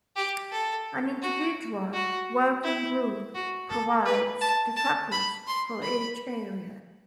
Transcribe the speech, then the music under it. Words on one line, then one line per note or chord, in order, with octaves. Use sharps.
An individual working group provides the focus for each area.
G4
A4
F#4
F#4
E4
F#4
A4
B4
A5
A5
B5
C6
B5